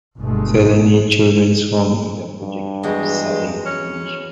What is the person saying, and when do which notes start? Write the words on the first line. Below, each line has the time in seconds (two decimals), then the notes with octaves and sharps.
Mseleni Children's Home is a project of Serving In Mission.
0.19 G1 B2 G#3 A3
2.40 G2
2.83 E2 F#3 G#3 F#4
3.66 C#4